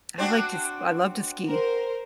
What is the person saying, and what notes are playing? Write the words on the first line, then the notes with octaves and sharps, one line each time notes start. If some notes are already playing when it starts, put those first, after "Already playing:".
I like to s I love to ski.
C4 D4 F#4
A#4 C5